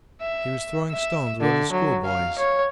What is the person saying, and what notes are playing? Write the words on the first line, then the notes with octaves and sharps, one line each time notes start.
He was throwing stones with other schoolboys.
E5
E5
D3
F#3
F5
C#5